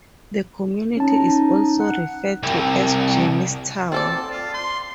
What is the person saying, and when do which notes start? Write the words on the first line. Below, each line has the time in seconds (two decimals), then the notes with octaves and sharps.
The community is also referred to as Jimstown.
0.97 C#4 D#4 A5
1.79 F#5
2.43 C2 C3
3.92 C4 A4 D5 A5
4.31 F4
4.54 C6